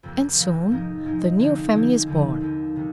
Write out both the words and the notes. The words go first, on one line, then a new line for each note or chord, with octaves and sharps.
And soon the new family is born.
F2 C3 F3 A#3
F2 C3 F3 A#3
G#2 F3 G#3 D#4
G#2 F3 G#3 D#4
D3 F3 G#3 C4 D#4
D3 F3 G#3 C4 D#4
D#2 D3 F3 C4 D#4
D#2 D3 F3 C4 D#4
C3 D#3